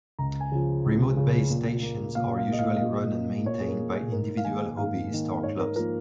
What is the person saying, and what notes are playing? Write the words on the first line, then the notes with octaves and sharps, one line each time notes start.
Remote base stations are usually run and maintained by individual hobbyists or clubs.
C#2 A#5
G#5
C#3 F3
C#2
C#3 F3
A#2
A#3
A#2 F5
F5
A#3 D#5
F5
F5
A#2 D#5
A#3
A#2 C#5
G#4
A#4
A#3
G#4
G#2 A#4
F5
D#3 A#3 G#5
G#2 F5
D#3 A#3
G#2 C#5
A#4
F3 A#3 A#4